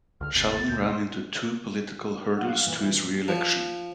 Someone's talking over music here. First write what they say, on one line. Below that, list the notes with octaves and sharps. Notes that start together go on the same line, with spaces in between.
Sheldon ran into two political hurdles to his re-election.
C#2 D3 F6
G1 D#2 C3 A6
D2 B2 G6
C6
F#3 D4 F5 F#5
A#2 E3
F3